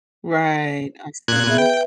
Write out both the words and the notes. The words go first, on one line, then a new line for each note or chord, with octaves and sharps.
Right, I see.
A#2 F#6 G#6
B3 G#4 E5
B4 E5 G5